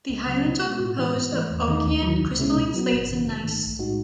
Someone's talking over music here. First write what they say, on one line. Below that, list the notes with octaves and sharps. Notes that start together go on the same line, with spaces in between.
The highlands are composed of Archean crystalline slates and gneisses.
C#2
C#3 F#3 C#4
B2
G#3 B3 F#4
A2
E3 G#3 B3 E4
G#2
E3 A3
E2
D#3 A3 D#4
D#2
D#3 F#3
C#2
B2 G#3 C#4 E4
B2
F#3 B3 F#4
G#1
F#2 C#3 E3
G#1
G#2 D#3 A3
B1
A2 G#3 D#4 F#4